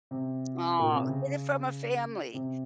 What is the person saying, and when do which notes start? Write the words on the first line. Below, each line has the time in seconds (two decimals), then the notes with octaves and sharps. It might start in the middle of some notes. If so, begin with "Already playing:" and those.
Aw, get it from a family.
0.11 C3
0.79 A#2
0.93 C3
1.07 C#3
2.34 C3